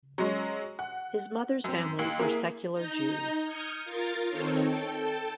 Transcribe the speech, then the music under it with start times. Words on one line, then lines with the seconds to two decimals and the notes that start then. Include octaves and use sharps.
His mother's family were secular Jews.
0.18 F#3 G#3 C#4
0.79 F#5
1.64 F#2 C4
1.99 D#2 F#7
2.19 A#3 E4 G#4
2.74 D#4 A#5 G6
3.45 D#6 F6 G6 G#6 C#7
3.84 F4 A#4 A6
4.28 D#3 C4 D#4 A4 C#5
4.64 A4 G5 A5